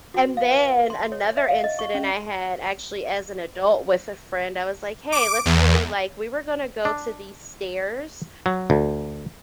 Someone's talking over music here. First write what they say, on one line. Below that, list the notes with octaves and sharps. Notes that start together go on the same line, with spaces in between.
And then another incident I had, actually as an adult with a friend, I was like, "Hey, let's really, like" we were going to go to these stairs.
F#4
F5
B4
C6
C#5
E5
F5
D#5
C#6
C#4
D6
E2
D4
F#3
D2